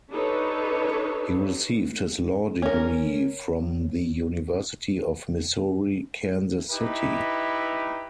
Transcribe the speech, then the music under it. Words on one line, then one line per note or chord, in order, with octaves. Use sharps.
He received his law degree from the University of Missouri-Kansas City.
D4 D#4 G4 A4 B4 C#5
C#4 A#4
D#4 E4 G4 B4